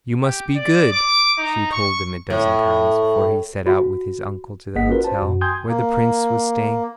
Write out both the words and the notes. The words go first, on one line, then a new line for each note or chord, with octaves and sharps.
"You must be good," she told him a dozen times before he set out with his uncle to the hotel where the Prince was staying.
G4
D5
D6
D#4
C#6
A2
F#4
G#1 A#3 G#4 D#5 F#5 B6
C#4 F4 F#4 A#4 B4
C5 A5
F#2 F#4
G5 G#5 C6 D#6 G6 G#6
A#3